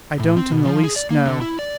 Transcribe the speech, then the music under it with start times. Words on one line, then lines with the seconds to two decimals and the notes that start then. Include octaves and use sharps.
"I don't in the least know."
0.20 A2
0.36 C4
0.51 B2
0.65 F3
0.84 G#4
0.96 D5
1.11 A#3
1.26 D3
1.41 E4
1.59 D5